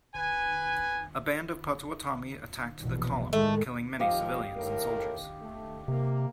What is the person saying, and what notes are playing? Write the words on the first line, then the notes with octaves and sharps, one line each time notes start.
A band of Potawatomi attacked the column, killing many civilians and soldiers.
B4 G#5
A#1 E2 B2
A2 D#3 G#3 A3
D#2 F3 G4 D#5 F5
A2 A#4
A3
C3 A#3